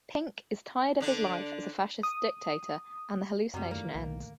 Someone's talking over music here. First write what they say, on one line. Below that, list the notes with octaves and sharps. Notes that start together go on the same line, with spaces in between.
Pink is tired of his life as a fascist dictator and the hallucination ends.
D3 D4
D#6
F#2 C3 G3 F#4 G4 G5
D#2 A2 D3 A#3
B1